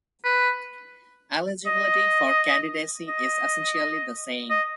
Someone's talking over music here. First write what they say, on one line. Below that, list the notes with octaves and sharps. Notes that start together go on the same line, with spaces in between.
Eligibility for candidacy is essentially the same.
B4
D#5
D#5
D#5